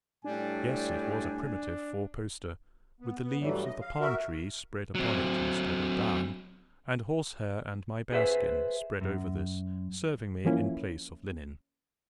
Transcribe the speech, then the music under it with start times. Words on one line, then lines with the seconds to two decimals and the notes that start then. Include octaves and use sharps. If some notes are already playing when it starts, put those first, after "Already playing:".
Yes, it was a primitive four-poster, with the leaves of the palm-tree spread upon it instead of down, and horsehair and my bearskin spread over this serving me in place of linen.
0.25 A2 G3 D4 G#5
3.00 B3
3.23 B3
3.40 G2 E3 F#3 G3 A3
3.65 D#5
3.81 F5
4.00 F#4 A#4 E5
4.95 F#3 C4
8.12 G#4 B4 C5 E5
9.01 F#2
10.45 E3 F3 A#3 C#4 E4